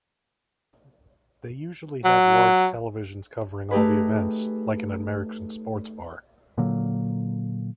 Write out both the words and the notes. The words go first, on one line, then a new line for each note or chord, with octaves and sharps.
They usually have large televisions covering all the events, like an American sports bar.
F#3
A3 D#4 G4 G#4 B4
A#2 D3 F#3 A#3